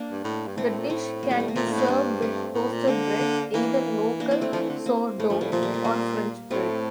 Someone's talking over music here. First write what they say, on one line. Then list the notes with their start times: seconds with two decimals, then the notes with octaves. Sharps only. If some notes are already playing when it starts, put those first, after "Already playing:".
The dish can be served with toasted bread, either local sourdough or French bread.
Already playing: A#3 D4
0.11 G2
0.24 A2
0.48 G2
0.57 A2 A3 C4
0.79 A#2
0.90 A2 A3
1.23 A#3
1.31 G3
1.40 A3
1.48 A#3
1.56 A#2 A3 C4
1.67 A#3 D4
1.72 A2
1.78 A#3 D4
1.88 G2 A#3
2.22 A3 C4
2.54 A2
2.72 A#2
2.88 D3 A#3 D4
3.21 A#3 D4
3.54 E3 A#3
4.20 A#3 D4
4.31 C4 E4
4.41 A3 C4
4.53 F3 A3 C4
4.62 E3
4.69 D3
4.86 A#3
5.19 A2 A3
5.29 G2 F3
5.39 A2 G3
5.52 A#2 F3
5.63 G3
5.74 G3
5.85 A#3
6.51 A2 A3 C4